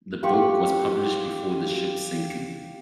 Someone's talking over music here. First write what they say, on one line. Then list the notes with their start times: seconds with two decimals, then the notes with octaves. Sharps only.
The book was published before the ship's sinking.
0.23 F4 G4 F#5 C#6